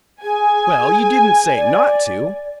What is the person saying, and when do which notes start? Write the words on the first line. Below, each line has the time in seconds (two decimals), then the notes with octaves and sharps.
"Well, you didn't say not to."
0.23 G#4 G#5
1.55 D5